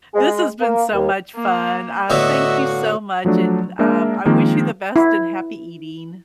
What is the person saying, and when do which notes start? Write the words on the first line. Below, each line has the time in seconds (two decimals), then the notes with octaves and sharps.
This has been so much fun, aw, thank you so much, and, um, I wish you the best and happy eating.
0.15 G#3
0.61 A#3
0.94 D#2
1.36 A#3
2.10 A2 D3 B3 F#4 D#5 E5 E6
2.64 F5
3.25 F3 F#3 A3 D4
3.79 G#3 A#3 D4 A#4 E5
4.25 D#3 F3 G#3 A#3 C4
4.96 E4